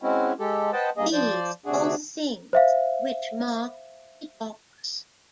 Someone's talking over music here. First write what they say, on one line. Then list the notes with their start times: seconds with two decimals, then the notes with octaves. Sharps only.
These are the things which mark epochs.
0.02 G#3 C4 C#4 E4 F#4
0.39 G#3 G4 A4
0.73 B4 C5 D#5 F#5 G5 A5
0.97 G2 A#3 G#4 D#5
1.13 F3 C5 D5
1.66 D2 C3 D4 F#4 G#4
2.53 C5 E5 F5